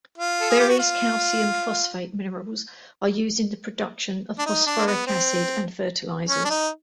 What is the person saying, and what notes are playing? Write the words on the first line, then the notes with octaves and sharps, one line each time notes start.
Various calcium phosphate minerals are used in the production of phosphoric acid and fertilizers.
F4
A4
G#4
G4
F#4
F4
D4
D#4
D4
A#3
B3
C4
C#4
D4
D#4